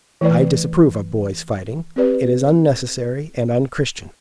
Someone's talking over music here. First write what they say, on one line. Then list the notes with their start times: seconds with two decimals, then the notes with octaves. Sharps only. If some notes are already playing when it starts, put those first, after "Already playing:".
I disapprove of boys' fighting; it is unnecessary and unchristian.
0.21 E3 A3 E4 B4 D5
1.96 C4 G4 B4 D5